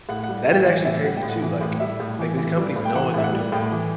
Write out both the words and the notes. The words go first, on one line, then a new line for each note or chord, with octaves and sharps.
That is actually crazy too, like like, these companies know what they're doing,
A2 F#5
G3 F#5
F#5
A2 G5
E3 F#5
A2 E5
G3 F#5
G5
A2
F#5
E3
A2
G3 E5
A2
E3
A2
G3
A2
G5
E3 F#5
A2 E5
F#5
G3
A2 G5
E3